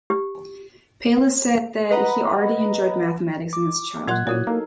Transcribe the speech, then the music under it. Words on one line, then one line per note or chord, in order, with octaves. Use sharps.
Palis said that he already enjoyed mathematics in his childhood.
G4
B4 D#5 F#5 A#5 B5
D6
A#2 F#3 F#5 C6 F#6 G#6
A#2 E4 F#4 C#5
A#3 D#4 A4 A#4